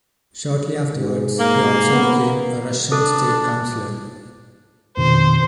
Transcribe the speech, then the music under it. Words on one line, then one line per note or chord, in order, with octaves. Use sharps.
Shortly afterwards, he also became a Russian state councilor.
G#2
A#3
B3
D4 A4
F2 B2 D#3 C5